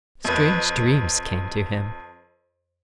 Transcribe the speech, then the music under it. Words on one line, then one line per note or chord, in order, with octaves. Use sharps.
Strange dreams came to him.
F2 B4